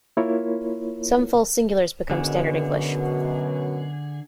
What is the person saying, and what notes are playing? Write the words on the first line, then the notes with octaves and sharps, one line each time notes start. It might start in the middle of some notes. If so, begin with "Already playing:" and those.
Some false singulars become standard English.
A#3 E4 F4 A#4 C#5
F#2 B2 D3 G#4